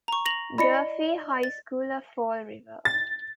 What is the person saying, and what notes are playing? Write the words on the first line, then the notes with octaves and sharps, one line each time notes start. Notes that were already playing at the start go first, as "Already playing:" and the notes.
Durfee High School of Fall River.
A#5 C#6
A#6 F7 F#7
E4 D5 D#5 B5 C#7
A6
A6